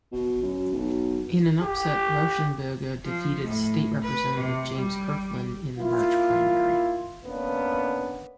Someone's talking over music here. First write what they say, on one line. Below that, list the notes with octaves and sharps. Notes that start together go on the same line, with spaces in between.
In an upset, Rauschenberger defeated State Representative James Kirkland in the March primary.
B2
F#2
B1
G4
F3
A2
B4
C3
G3
A#3 E4 F4
A#3 B3 C#4 D4